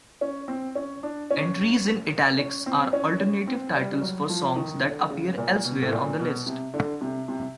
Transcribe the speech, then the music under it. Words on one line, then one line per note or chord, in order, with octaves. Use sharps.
Entries in "italics" are alternative titles for songs that appear elsewhere on the list.
C#4
C4
C#4
D4
C#4
C#4
C4
C#4
C#4
C4
G3
G3
F#3
F3
D#3
D3
C#3
A#2
B2
A2
A#2
B2
C3
D3
C3
C3